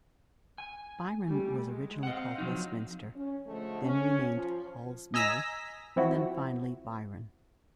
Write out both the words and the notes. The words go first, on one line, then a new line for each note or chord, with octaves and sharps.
Byron was originally called Westminster, then renamed Hall's Mill, and then finally Byron.
G#5
G3 A3
G#3
C4 D#5 F5 F#5
F3 F#3 D#4
C#4
D3 F3 G#3 A3
C#4
F3
D#5 G#5 A#5 E6 A#6 B6
F3 C4 E4 F#4